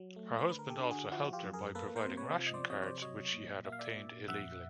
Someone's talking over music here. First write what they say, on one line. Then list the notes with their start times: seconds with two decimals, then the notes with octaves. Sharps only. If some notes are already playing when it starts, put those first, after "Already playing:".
Her husband also helped her by providing ration cards which he had obtained illegally.
Already playing: F#3
0.16 A3
0.38 C5
0.48 D3 B4
0.59 A#4
0.70 G4 A4
0.80 D3
0.91 F#4 G#4
1.12 F3 E4 F#4
1.24 F#4
1.33 F4 G4
1.43 F#2
1.53 G#4 A#4
1.75 A#3 A4 B4
1.96 A#4 C5
2.07 C3
2.17 B4 C#5
2.39 F3
2.47 D#5
2.54 C5 D5
2.70 C3 C#5 D#5
2.82 C#5
2.85 C5 D5
3.02 F#3 C#5 D#5
3.34 A#2
3.65 A#3 E5
3.72 F5
3.79 D5 E5
3.97 A#2
4.28 F2 E5 F#5